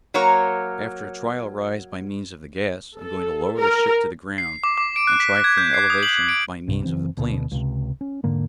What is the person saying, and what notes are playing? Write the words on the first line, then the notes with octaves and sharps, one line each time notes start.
After a trial rise by means of the gas, I'm going to lower the ship to the ground, and try for an elevation by means of the planes.
F#3 A#3 A#4 C#5
A4
A#4
C7
D6
D6
D7
F#6
B6
G#6
G6
C7
D#6
F#7
D7
C2 G2 C3
F#1 E3 C4
D2 B2
C#2 C3
C#4
E1 G#2 D3 A#3